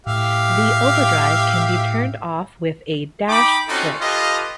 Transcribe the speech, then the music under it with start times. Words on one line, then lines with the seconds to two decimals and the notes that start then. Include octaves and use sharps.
The overdrive can be turned off with a dash switch.
0.07 A2 G4 E5 F5
3.29 D#4 G5 B5 D6
3.68 C4 C#4 D#4 F4 F#4 A4
4.01 F4 G4 A4 B4 D#5